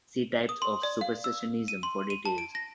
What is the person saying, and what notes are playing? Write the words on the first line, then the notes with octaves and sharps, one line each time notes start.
See types of Supersessionism for details.
D#6
C6
D5
F5
E6
D#7
C6
D#7
A5
D7
A#6